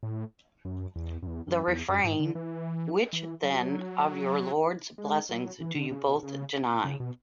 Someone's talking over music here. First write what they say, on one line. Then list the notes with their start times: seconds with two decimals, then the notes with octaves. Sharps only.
The refrain, Which, then, of your Lord's blessings do you both deny?
0.03 A2
0.65 F#2
0.96 E2
1.23 F#2
1.27 E2
1.48 F#2
1.68 E2
1.89 F#2
2.04 G#2
2.20 D3
2.35 E3
3.13 E3
3.43 F#3
4.98 G#3
5.29 F#3
5.61 E3
5.76 D3
5.91 C#3
6.07 B2
6.23 C#3
6.85 C#3
7.00 B2